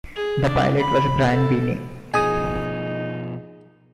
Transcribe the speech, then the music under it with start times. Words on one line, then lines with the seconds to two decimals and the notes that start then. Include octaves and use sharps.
The pilot was Brian Binnie.
0.15 G#4
0.47 D4
0.80 B5
1.31 A4
2.14 B2 F3 D#4 G#4 G#5 D#6